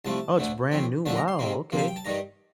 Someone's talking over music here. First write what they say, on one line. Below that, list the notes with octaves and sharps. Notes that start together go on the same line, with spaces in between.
Oh, it's brand new, wow, okay.
C2 C3 F3 A3 A5
D2 D3 A3
A2 F3 C4
D#2 D3 F3 A3 D4 A5
A#5
C6
C3 D#3 A#3
C3 F3 A#3
F5
G5
A5
G2 D#3 G3 A#5